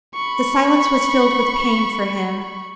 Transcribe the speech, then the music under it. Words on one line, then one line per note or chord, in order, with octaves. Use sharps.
The silence was filled with pain for him.
B5 C#6